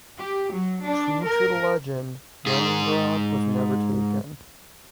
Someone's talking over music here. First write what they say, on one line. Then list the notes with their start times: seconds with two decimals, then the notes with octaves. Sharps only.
True to the legend, Leningrad was never taken.
0.18 G4
0.52 F#3
0.84 D4
1.25 A#4
2.46 G#2 G#4